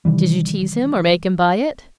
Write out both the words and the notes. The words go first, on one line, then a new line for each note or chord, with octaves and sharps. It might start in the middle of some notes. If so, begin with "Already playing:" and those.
"Did you tease him, or make him buy it?"
C3 D#3 E3 G3